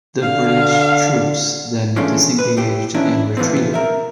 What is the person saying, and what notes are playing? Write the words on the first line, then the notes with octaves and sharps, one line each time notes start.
The British troops then disengaged and retreated.
D3 F5
E3 F3 G#3 A3 C#4 D4
B4
A2 G4
D#3 E3 C#4 D4 E4
A#2 E3 F3 B3 C4
A#4 E5